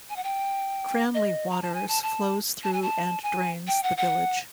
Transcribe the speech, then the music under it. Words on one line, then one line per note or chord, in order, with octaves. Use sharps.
Cranleigh Waters flows through and drains the village.
G#5
F#5
G5
D#5
A#5
A5
G#5
A5
A5
A5
G#5
A5
G#5
G5
F#5
F#5